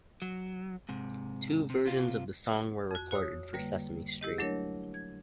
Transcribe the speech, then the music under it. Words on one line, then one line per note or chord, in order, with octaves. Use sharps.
Two versions of the song were recorded for "Sesame Street".
F#3
G#2 C3
C3
C3 F4
F2 F#4
F#4 C#5 D#6 E6
D3 G3 A#3 B4
E4 G4 D#5
F#3 A3 D4 A#4 C#5
G#6